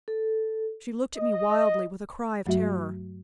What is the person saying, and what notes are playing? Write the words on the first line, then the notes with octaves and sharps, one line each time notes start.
She looked at me wildly, with a cry of terror.
A4
D#5
G2 F#3 A3 F#4 E5